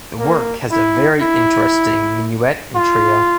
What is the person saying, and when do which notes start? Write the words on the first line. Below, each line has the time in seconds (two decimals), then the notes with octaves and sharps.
The work has a very interesting minuet and trio.
0.19 A#3
0.71 E4
1.21 E4
2.75 F4